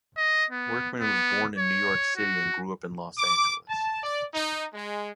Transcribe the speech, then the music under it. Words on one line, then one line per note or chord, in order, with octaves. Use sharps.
Workman was born in New York City and grew up in Los Angeles.
D#5
B3
B3
C#5
F#4
D6
A5
D5
D#4
G#3